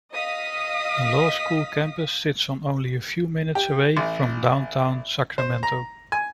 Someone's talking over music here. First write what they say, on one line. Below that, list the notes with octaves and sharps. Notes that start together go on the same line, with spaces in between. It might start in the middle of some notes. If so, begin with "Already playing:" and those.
The law school campus sits on only a few minutes away from downtown Sacramento.
D#5 F5 D#6 B6
G4
A1
C5
A#5
G#5